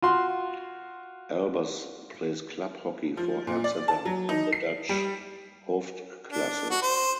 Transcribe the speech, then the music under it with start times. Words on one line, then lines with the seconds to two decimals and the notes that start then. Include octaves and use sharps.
Albers plays club hockey for Amsterdam in the Dutch Hoofdklasse.
0.02 F4 F#4 C6
3.17 F3
3.47 A#2
3.64 D5
3.88 A5
4.05 F#3
4.29 D#4
4.53 C7
4.89 G3
6.31 D4
6.70 F#4
6.82 C5